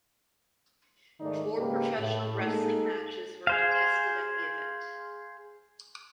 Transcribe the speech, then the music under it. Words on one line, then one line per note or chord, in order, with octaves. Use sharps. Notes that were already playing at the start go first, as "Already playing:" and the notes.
Four professional wrestling matches were contested at the event.
G#2 D#3 A3 D#4 A#4 D5
G#2 C#3 G#3 A#3 G4 B4
A2
G#3 A#3 D#4 A4
G#4 C5 F5